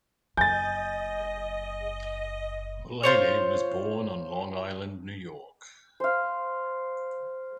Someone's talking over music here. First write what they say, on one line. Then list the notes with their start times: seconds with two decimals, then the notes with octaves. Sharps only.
Mullaney was born on Long Island, New York.
0.37 F#1 F#3 D#5 G#5 G6 A6
3.03 F4 C5 C#5
6.00 C5 F5